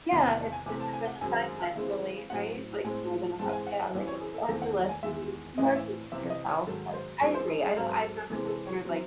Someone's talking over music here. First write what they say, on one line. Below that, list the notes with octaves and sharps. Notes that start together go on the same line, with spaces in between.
Yeah, it's kind of an assignment really, right, like, more than a h yeah, like, it's on your list and you you are doing it for yourself, but I agree, I don't I've never considered, like,
E2 C3 D#3 F#5
G#5
A5
G#5
C3 E3 A3 C4 G#5
A5
G#5
F#5
F#2 D#3 G#3 C4 G#5
E5
E5
C#3 E3 G#3 C4 E5
A2 F#3 C4 F#5
A2 G#3 C4 G#5
G#2 E3 G#3 C4 A5
G#5
F#5
F#5
F#2 E3 C4
C#5
G#4
A4
E2 D#3 A3 C4 A4
F#5
G#5
E2 D#3 G#3 E5
A2 E3 C4 D#5
E5
C3 E3 C4 E5
D#5
C#5
G#2 D#3 F#3 A4
C5
F#2 E3 G#3 C4 C#5
C5
G#4
G#2 F#3 C4 A4
C5
A4
A4
C3 E3 G#3 C4 A4
A4
C#5
F#3 C4